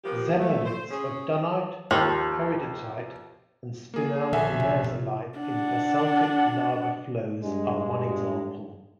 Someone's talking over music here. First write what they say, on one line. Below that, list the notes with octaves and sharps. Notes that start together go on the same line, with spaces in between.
Xenoliths of dunite, peridotite and spinel lherzolite in basaltic lava flows are one example.
F3 A#3 B3 G4
A3
C5
C#4 G#4
D#2 F3
A#3 G#4
A#1 D3 E5 G#5
C3
C3
D4 F#5
G2 G#3